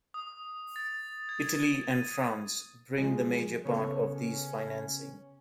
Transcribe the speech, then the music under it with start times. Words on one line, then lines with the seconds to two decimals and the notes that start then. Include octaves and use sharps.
Italy and France bring the major part of these financing.
0.14 D#6
0.76 A6
1.29 G#6
1.91 D#7
2.98 F3 G#3 G#4
3.65 C#3 B3 A4 C#5
4.12 C#4